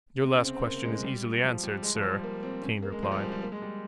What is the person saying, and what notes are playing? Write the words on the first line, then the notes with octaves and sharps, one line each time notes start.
"Your last question is easily answered, sir," Kane replied.
C3
C#3
C4
C4
A#3
G#3
G3
F3
G3
G#3
F3
G3
A#3
C4
C#4
A#3
G#3
F3
G3
G#3
G3
A#3
G#3
G3